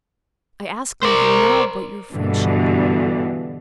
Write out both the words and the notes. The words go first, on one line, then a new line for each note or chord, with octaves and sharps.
I ask nothing now but your friendship.
A#4 C5 D5
G2 B2 D3 E3